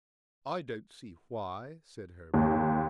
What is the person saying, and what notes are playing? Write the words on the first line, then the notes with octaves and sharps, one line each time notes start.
"I don't see why," said Herbert.
D#2